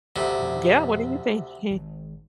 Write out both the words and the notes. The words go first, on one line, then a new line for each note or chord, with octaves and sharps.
Yeah, what do you thinking?
G1 D2 C3
F2 B2 D3
G#1